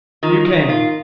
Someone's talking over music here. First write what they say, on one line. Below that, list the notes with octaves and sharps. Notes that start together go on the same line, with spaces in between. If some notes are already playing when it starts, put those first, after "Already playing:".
You came.
D#3 F4
D#3
D#4
F4